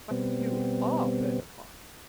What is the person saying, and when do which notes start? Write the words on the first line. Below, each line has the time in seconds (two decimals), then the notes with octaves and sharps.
But you are Bonaparte.
0.11 B2 G3 B3 C4